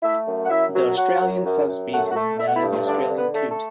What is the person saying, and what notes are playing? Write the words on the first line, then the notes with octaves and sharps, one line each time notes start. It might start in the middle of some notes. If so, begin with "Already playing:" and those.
The Australian subspecies is known as the Australian coot.
A3 E4 E5
F#2
F#5
F#2 E4 E5
F#3
F#3 F#4 F#5
F#2
F#2
F#2
A3 F#5
F#4 F#5
A3
A3 E5
F#5
E4 E5
G2
D3 D4 D5
D3
B3 B4
A3
A3 A4